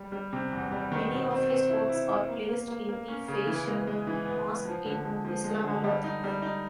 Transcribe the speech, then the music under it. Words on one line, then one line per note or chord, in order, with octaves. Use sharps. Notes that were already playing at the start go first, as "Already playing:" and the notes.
Many of his works are placed in the Faisal Mosque in Islamabad.
Already playing: G3
G3
C3
E2
G3
D#3
B2
C4
C4
E4
E4
E4
A#3
A#3
A#3
A#3
C#4
C#3
E3
G#3
G#3
E3
B3
B3
F3
D3
G#3
F3
G#3
D3
G3
D#4
G3
D#4